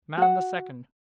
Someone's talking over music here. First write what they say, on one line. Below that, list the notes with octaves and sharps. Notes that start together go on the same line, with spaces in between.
Man the second.
F#4 F#5